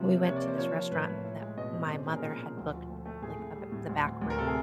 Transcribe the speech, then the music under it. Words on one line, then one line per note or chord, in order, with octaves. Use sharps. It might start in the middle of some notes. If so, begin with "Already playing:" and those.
we went to this restaurant that my mother had booked like a b the back room,
Already playing: C3 F3
A#3
C3 C#5
D5
A#3
C5
F3 C#5
F3
A2 B4
A2 C#5
E4
G#3
B2 D#5
C4
C#4 D5
C5
A#2 G#4
A#4
F3
F3
D2
F3
A3
A3
A2 G#4
A2
G3
A2
D2
D2
D2
A#4
C3 A4
G#4